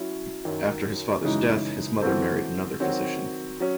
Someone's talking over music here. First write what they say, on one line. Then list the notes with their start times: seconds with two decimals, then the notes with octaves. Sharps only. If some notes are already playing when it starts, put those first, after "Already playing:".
After his father's death, his mother married another physician.
Already playing: F#3 C#4 E4
0.45 F#2 D#3 F#3
1.24 F#2 C#3 E3 G#3 D#4
2.01 E3 C4 F#4 A4 C5
2.80 D#3 F#3 C4 F#4 C#5
3.60 F#3 C#4